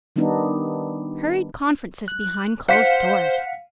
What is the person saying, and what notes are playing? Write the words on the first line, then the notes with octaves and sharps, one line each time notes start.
Hurried conferences behind closed doors!
D#3 G3 B3 D4 D#4
F#6
C5 F5 F#5 B6 C#7